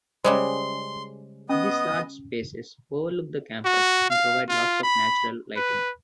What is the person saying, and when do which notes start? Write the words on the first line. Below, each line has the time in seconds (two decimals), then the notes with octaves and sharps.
These large spaces overlook the campus and provide lots of natural lighting.
0.24 C#3 G3 G#3 C5 C6
1.49 B3 C#4 D#5 D#6
3.65 F#4
4.10 F5
4.49 F4
4.83 B5
5.56 B4